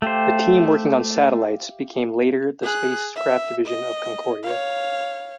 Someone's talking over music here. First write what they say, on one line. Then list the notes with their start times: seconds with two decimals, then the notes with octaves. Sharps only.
The team working on satellites became later the Spacecraft division of Space Concordia.
0.02 A3 G4 C5 E5 F5
2.63 G#4 F#6
3.15 E5
3.66 D#5
4.43 C#5 F5